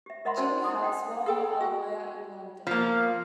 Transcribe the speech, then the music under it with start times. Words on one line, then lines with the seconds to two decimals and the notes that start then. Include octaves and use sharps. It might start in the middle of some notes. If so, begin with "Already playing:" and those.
'Jimmie Haswell', a lawyer in London.
0.06 G4 E5
0.25 A#4 D#5 E5 F#5 B5 C6
0.37 C#4 F#4 C5 D5 A5 E6
0.64 E4 A4 C6 D#6
0.83 F#5 G5 D#6
1.26 G#4 A4 G5
1.61 F#4
2.67 F3 A#3